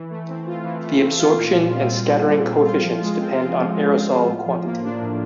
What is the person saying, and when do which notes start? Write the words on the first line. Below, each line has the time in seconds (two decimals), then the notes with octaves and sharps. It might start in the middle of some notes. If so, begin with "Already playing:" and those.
The absorption and scattering coefficients depend on aerosol quantity.
Already playing: E3
0.10 A3
0.28 C4
0.46 F4
0.64 E3
0.83 A3
1.01 C4
1.19 F4
1.38 A#2
1.55 G3
1.74 C4
1.92 F4
2.10 A#2
2.28 G3
2.47 C4
2.65 F4
2.82 F3
3.02 G#3
3.20 C4
3.37 F4
3.56 F3
3.74 G#3
3.92 C4
4.10 F4
4.28 A2
4.46 F3
4.65 A#3
4.83 D4
5.02 A2